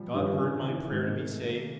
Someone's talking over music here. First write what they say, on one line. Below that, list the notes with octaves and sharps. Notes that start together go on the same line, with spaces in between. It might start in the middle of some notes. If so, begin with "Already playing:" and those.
God heard my prayer to be saved.
Already playing: F3 G3
G2 D#3
C#3
D3
E3
D#3
G#2 D#3
D#3
A3
A#3